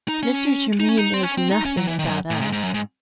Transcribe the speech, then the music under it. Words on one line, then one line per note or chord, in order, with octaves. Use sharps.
Mr. Germaine knows nothing about us.
D#4
C#4
D#4
C#4
D#4
C4
C#4
C4
D#4
C#4
F#3
E3
D#3
F#2
A2
G#2
G#2
F#2
G#2